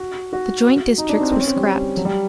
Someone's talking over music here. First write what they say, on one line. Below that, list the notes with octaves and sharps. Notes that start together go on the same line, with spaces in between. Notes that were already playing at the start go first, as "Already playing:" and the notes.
The joint districts were scrapped.
Already playing: F#4
F#4
D#4
D4
C4
C4
C#4
C4
G3
F#3
G3